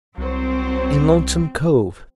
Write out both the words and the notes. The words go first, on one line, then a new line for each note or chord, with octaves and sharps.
"In Lonesome Cove."
C2 F#3 C4 C5